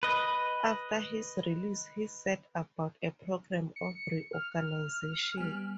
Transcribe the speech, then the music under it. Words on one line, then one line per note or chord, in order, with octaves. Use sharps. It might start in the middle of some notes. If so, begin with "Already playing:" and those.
After his release, he set about a programme of reorganisation.
B4 D#5
C#7
F6
G3 B3 G#5